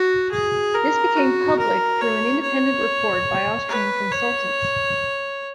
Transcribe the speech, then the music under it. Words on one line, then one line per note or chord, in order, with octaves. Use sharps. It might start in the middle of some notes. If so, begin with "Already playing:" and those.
This became public through an independent report by Austrian consultants.
Already playing: F#4
G#4
A#4
F#4
A#4
C#5
C#5
B4
C#5